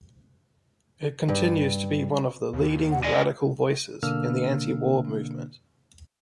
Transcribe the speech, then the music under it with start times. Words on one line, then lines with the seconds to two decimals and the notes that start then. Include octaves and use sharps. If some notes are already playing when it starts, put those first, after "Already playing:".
It continues to be one of the leading radical voices in the anti-war movement.
1.28 G2
2.53 D#2
2.91 F#5
3.04 D4 D5 D#5 G#5
4.03 B2 D3 A#3 D4 E6 F6